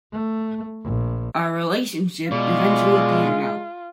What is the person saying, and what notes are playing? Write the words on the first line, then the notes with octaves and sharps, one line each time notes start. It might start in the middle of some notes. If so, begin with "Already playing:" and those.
Our relationship eventually petered out.
A3
A#1
B2 G#3 F4 D5